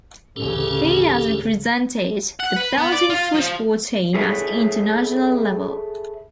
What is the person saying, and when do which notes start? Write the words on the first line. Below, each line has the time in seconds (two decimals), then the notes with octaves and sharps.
He has represented the Belgian football team at international level.
0.36 A1 D2 C#3 C#4 G4 A4
2.40 F#5
2.56 B4
2.78 B3
2.92 D5
3.10 F4
3.35 F3
4.14 G#4 A4 B4 C#5 E5